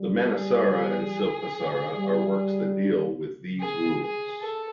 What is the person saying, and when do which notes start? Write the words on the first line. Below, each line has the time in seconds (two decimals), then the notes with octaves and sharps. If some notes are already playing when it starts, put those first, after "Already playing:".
The Manasara and Silpasara are works that deal with these rules.
Already playing: G3
0.33 G#4
1.97 G3
3.60 G#4
4.01 G#4
4.42 A4